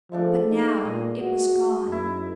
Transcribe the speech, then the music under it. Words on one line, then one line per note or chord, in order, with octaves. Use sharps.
But now it was gone.
F3 G#3 A3 D4
D#4
A#2 G#4 D#5
F#4
F#2 D#4 E4